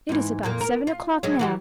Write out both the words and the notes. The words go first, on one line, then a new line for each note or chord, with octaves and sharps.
It is about seven o'clock now.
G#2 E3
F2 A#2 A#3
A#4
F4
F#3 G#3 C#4
E3 F#4 G4